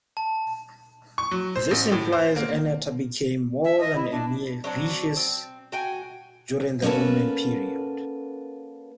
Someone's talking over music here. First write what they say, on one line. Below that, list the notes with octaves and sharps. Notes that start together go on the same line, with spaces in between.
This implies Ceneta became more than a mere "vicus" during the Roman period.
A5
C#6
F#3
C5
A1
A2
C5
A#3
E5
D#5
E4
D4
F#3 C4 D4 F#4
C4
F#4 G5 G#5
A#3 C#4 F#4 A4 B4